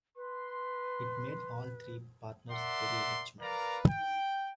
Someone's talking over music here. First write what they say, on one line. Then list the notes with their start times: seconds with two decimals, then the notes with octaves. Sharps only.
It made all three partners very rich men.
0.16 B4 C6
2.51 A#4 D5 E5 F#5 C6
3.41 A#4 B4 D5 F5 A#5
3.88 G5